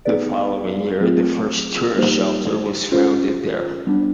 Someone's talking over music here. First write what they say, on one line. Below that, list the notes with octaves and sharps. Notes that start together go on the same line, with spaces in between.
The following year the first tourist shelter was founded there.
B3 D#4 G#4 B4 D5
F#3 A3 C4 F4 G#4
G3 A#3 D#4 G4 C5
C#4 F4 A4 C5
G3 B3 D4